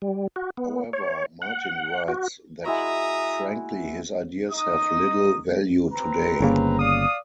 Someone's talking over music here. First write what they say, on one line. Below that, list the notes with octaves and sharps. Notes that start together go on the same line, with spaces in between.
However, Martin writes that "frankly, his ideas have little value today".
G3
F#4
B3
C#5
F#5
F#4
G#3 E4 F#4 E5 A#5 D#6
D#4 D#5 D#6
C4 B4 A#5
G1 C#3 A#3
D5 F5 D#6